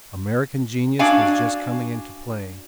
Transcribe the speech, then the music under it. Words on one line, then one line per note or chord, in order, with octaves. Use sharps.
American genius was just coming into play.
D4 F#4 F5 G#5